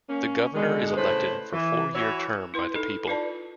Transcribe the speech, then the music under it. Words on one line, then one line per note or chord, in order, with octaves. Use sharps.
The governor is elected for four-year term by the people.
A#3 C#4
B2 D3 G#3
A2 C#3 B4 C5
E3
E3 E4 F#4 C#5
E4 B4 C6
D#4 A4
D#4 F4 B4 D5 A5